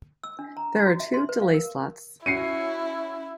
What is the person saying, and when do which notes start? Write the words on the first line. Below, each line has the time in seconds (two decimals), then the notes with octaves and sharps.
There are two delay slots.
0.24 E6
0.39 D4
0.57 A#5
0.86 F#4
1.00 E5
1.14 C6
1.29 B4
1.42 F5
1.54 A#4
2.26 C#4 E4 F#4 C7 C#7 D#7